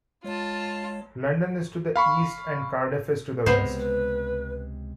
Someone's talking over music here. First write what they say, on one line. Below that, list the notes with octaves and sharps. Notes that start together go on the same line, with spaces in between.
London is to the east, and Cardiff is to the west.
G#3 F4 C#5 A5
F5 B5 C#6
C#2 C3 G#3 B3 C5
B4